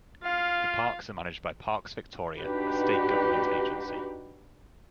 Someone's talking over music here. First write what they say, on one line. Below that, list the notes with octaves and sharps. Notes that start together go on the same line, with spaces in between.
The parks are managed by Parks Victoria, a state government agency.
F4 F5
D4 D#4 F#4 G4 B4